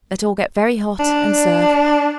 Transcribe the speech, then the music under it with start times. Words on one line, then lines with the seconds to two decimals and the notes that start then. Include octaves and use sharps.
Let all get very hot and serve.
1.00 D4